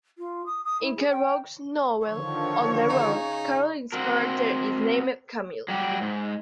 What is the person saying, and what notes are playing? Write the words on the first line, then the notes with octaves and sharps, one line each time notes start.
In Kerouac's novel "On the Road" Carolyn's character is named "Camille".
F4
D#6
D#6
E4
G#4
G5
D3 D#3 F3 C#5
C#3 D#4
C4 F#4 A#4
F#3 G3 G4
G#2